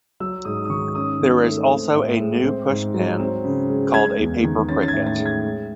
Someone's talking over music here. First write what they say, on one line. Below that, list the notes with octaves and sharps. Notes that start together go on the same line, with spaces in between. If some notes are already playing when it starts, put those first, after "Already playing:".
There is also a new push pin called a "paper cricket".
F#3 E6
G#2 D#6
D#6
D#3 C#6
C#4 D#6
D#3
A3
C4
A2
G#3
C4
G#2
F#3
C4
C#3
G#3
G#3 G#6
E2
D#3
C#4 A6
A6
G#6
A2
A6
G#3
G#6
G#3